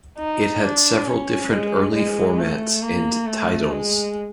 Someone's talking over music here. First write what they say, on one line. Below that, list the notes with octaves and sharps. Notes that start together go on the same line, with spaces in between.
It had several different early formats and titles.
D#4
D4
C#4
G#3
G#3
A3
A#3
A3
G#3